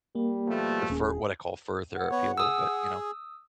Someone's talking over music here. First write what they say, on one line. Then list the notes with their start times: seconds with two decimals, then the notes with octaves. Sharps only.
the fur what I call "fur therapy," a little bit, you know,
0.15 G3 A#3
0.47 B2 F3 A3
0.90 D#1 C#4 G#4
1.95 F#5
2.11 B3 C#5
2.38 G#4 D#6 E6